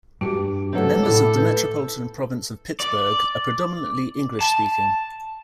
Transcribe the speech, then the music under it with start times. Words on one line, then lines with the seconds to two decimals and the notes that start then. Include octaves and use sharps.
Members of the metropolitan province of Pittsburgh are predominantly English-speaking.
0.21 G2 F#4 G4
0.73 C3 F#3 A3 A4 B4
1.03 A2 A3 E4 D6
1.37 B4
2.80 D5
4.41 A5